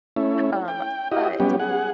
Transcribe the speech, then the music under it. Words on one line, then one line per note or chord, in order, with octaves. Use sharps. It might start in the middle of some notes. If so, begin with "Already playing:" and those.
um, but,
A3 C#4 E4
G5
E4 F#4 G4 D#5
F#3 G3 B3 C#4 G4
G#4 F#5